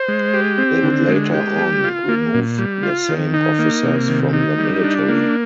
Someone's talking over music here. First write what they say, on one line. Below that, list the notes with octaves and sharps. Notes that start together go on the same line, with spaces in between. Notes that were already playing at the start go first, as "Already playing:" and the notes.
They would later on remove the same officers from the military.
Already playing: C5
G#3
G4
C4
D3
G#3
G4
G3
F4
A#3
A#2
G3
F4
D#3
D#4
A#3
C3
D#3
D#4
G3
D4
A#3